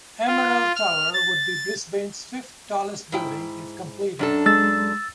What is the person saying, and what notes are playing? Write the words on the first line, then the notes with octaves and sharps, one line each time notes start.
Emerald Tower would be Brisbane's fifth tallest building if completed.
F4
F6
A6
G#2 E4 G5
F#2 D4 A4
G#3 E6 A6